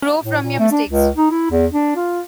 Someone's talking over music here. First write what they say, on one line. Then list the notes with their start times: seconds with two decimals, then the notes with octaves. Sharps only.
You grow from your mistakes.
0.23 A2
0.43 A#2
0.59 A3
0.71 D4
0.89 C#2
1.16 D#4
1.31 E4
1.51 E2
1.72 D4
1.96 F4